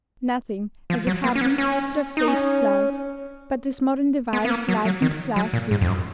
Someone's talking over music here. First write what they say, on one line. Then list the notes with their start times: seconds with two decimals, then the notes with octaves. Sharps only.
Nothing, as it happened, could have saved his life, but this modern device lightened his last weeks.
0.90 F3
1.07 F#3
1.24 A#3
1.35 C#4
1.41 B3
1.58 C#4
2.17 D#4
2.28 C#4
4.33 B3
4.45 B3
4.50 A#3
4.68 F#3
4.85 F#3
5.02 D#3
5.36 F#3
5.53 A#2
5.71 G#2
5.81 F2
5.88 F#2